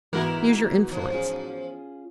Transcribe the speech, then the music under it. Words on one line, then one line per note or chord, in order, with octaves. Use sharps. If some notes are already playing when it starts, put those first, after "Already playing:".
Use your influence.
G#2 E3 B3 E4 F#4 A#4 A#5
F3
C#4 F4 G#4